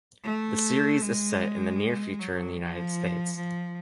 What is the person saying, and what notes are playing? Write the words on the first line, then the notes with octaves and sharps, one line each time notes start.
The series is set in the near future in the United States.
A3
G#3
F#3
F3
F3